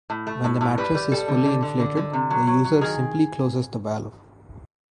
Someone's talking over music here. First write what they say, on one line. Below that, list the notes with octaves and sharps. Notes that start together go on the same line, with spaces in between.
When the mattress has fully inflated, the user simply closes the valve.
A2
A3
A2
A2
G3 B4
G3
G3 A4
D3
D3
D3
D3
D3
C3
F#3
F#3
F#3
D#3 G#4